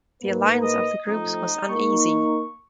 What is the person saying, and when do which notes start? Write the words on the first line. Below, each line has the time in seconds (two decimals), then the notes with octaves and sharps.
The alliance of the groups was uneasy.
0.22 G#2 A#3 B4
0.62 D#5
1.07 F3 A3 C4 D#4
1.68 A#3 D#4 C#6